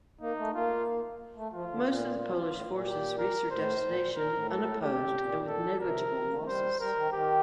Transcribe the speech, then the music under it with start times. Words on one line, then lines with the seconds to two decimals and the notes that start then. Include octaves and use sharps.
Most of the Polish forces reached their destination unopposed and with negligible losses.
0.21 A#3 D#4
0.38 A3
0.54 A#3 F4
1.36 A3
1.53 F3 F4
1.69 D3
1.86 A#2
2.19 F4
2.51 A2
2.68 A#2
2.84 G4
3.18 A#4
3.50 A2 C5
3.84 A#2
3.99 A#2
4.16 A#2 A#4
4.33 A2
4.49 A4
4.82 G4
5.06 A2
5.15 A#2
5.48 A4
5.80 C3 A#4
6.14 D#3
6.22 F3
6.31 A#3
6.39 A3
6.47 G3 C5
6.80 G3 A#4
6.96 D#3
7.12 D#3 G4